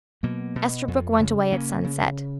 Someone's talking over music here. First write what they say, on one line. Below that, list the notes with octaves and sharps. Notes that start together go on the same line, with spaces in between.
Esterbrook went away at sunset.
B2 F#3 A#3
B2
F2
C#3
C#3 A#3 C#4
C#3